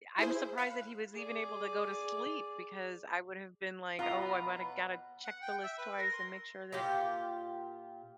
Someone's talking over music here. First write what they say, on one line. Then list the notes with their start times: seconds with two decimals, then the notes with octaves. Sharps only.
I'm surprised that he was even able to go to sleep, because I would have been like, "Oh, I might've gotta check the list twice, and make sure that
0.19 E4 G#4 C5
0.58 F5 B5 F#6 C#7 E7
1.13 G#4 D5
3.99 B2 F#3 B3 F4 F#4 F5 A#5 D#6
5.23 F#5
5.41 G5
5.62 E5
5.77 B4
5.96 A#4
6.11 C6
6.72 A#2 F4 G4